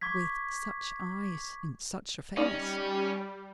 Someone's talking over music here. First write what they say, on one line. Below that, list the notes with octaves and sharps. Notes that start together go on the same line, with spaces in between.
With such eyes in such a face!
C#6 D6 G#6 B6
G3 C#4 D#4 D5